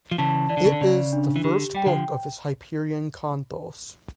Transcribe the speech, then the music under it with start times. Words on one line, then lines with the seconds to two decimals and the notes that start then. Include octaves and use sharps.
It is the first book of his Hyperion Cantos.
0.11 F3
0.18 C#3 E3 A5
0.49 E3 D5
0.57 D3
0.65 C#3
0.72 D3
0.81 C#3 D5
1.13 D4
1.36 E3
1.44 D3 G4
1.75 G3 G5
1.86 D3 F3